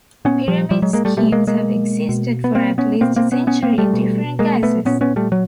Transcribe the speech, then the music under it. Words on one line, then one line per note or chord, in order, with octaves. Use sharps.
Pyramid schemes have existed for at least a century in different guises.
A#2 B3 C#4
F3 G3
F3 G3
F#3 G#3
G#3 A#3
G3 A3
B2 G3 A3
G#3 A#3
G#3 A#3
B2
B3
A#3 C4
B3 C#4
B2 A#3 C4
A#3 C4
B3 C#4
B3 C#4
A#3 C4
G3 A3
B2
G#3 A#3
A3 B3
A#2 B3 C#4
B3 C#4
G3 A3
F#3